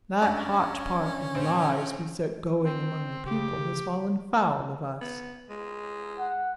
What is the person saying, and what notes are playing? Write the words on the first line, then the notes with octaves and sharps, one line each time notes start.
That hotch-pot of lies we set going among the people has fallen foul of us.
G2 F#3 C#4 D5
A#1 C5
C4
C#3 G4
B3
G#3
F#5